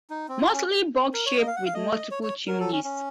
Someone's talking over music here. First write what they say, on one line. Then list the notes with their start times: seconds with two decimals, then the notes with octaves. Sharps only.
Mostly box shaped with multiple chimneys.
0.10 D#4
0.29 C4
0.41 F4
0.53 C#4
1.02 C4
1.14 A#4
1.26 C#5
1.38 A#3 D#5
1.47 F5
1.56 F#5
1.66 F5
1.74 A3 D#5
2.11 C#5
2.23 C#5
2.48 F#3 A#4
2.60 A4
2.72 C#4
2.84 C#4